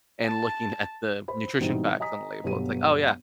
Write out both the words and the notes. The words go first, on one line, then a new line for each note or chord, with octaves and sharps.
and looking at the nutrition facts on the label, it's like, "Oh, yeah,
A5
C5 B5
G#2 B2 E3 G3 C4 D#4
D#5 G#5 A#5 D#6 B6
G1 B2 F#3 G4 D#7